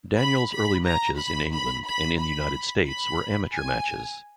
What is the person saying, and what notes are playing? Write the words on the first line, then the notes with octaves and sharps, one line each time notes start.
Daniels early matches in England and in the United States were amateur matches.
B5
B5
A#5
B5
B5
B5
B5
B5
G#5